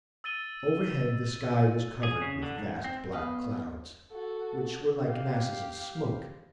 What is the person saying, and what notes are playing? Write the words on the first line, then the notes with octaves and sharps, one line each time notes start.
Overhead the sky was covered with vast black clouds, which were like masses of smoke.
E6 A6 D#7 G7
G#4
C#3
D3
G#2
C4
B3 D#5 F5 B5
F#4 A4
G4 F5